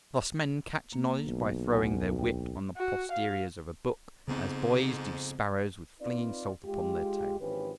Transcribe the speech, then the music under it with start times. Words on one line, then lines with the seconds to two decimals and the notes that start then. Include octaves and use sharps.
Thus men catch knowledge by throwing their wit on the posteriors of a book, as boys do sparrows with flinging salt upon their tails.
0.93 A#3
1.26 B1
1.71 D2 G#5
2.18 G5
2.77 F#4
3.11 F5
4.28 F2 G#2 C#3 B3 C4
6.00 C4 D#4 F4 B4 D5
6.65 G#3 F4 G4
7.39 G#1 E3 F3 C#4 G4 B4